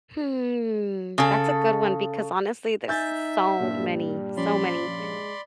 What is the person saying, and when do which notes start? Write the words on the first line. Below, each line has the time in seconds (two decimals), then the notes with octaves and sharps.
Hmm. That's a good one because, honestly, there's s so many, so many,
1.18 C#3 A4
2.88 D#4 E5 G#5 G6 A6
3.59 G2 A#2 G3
4.37 F3 C#4 D5 B5 C6
4.99 G#3